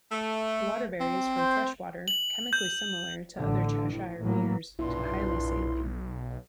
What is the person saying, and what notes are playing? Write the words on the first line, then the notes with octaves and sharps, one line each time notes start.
The water varies from freshwater, chemically similar to other Cheshire meres, to highly saline.
A3
C4
C5
F#7
G6
A1 D3
A2
A2 F#3 A#3
B1 G2 A#2 E4 C6